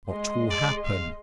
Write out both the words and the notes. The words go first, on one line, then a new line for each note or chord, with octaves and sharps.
What will happen?
G#3 D#5 C6
D5
F5